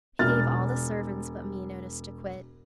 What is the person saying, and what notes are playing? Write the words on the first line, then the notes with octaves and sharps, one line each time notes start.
He gave all the servants but me, notice to quit.
E1 F6 A6